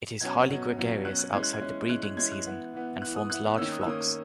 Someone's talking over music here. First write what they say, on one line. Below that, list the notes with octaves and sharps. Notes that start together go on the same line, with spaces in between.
It is highly gregarious outside the breeding season and forms large flocks.
B2 F#3 C#4 G#6
B2 F#3 C#4
B2 F#3 C#4
B2 F#3 C#4 F#6
F#6
E3 G#3 C#4 G#6
F#6
G#6
E3 G#3 C#4
E3 G#3 C#4 F#6
F#6
E3 G#3 C#4 G#6
F#6
E3 B3
E3 B3
E3 B3 F#6
D#6
E3 B3 F#6
D#3 A#3 C#4 E6
D#6
E6
D#3 A#3 C#4 D#6